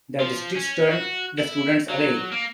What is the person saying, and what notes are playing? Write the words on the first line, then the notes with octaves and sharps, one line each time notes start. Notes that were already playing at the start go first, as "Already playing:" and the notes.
The district turned the students away.
F3
C#4
F#4
E4
F#3
A#3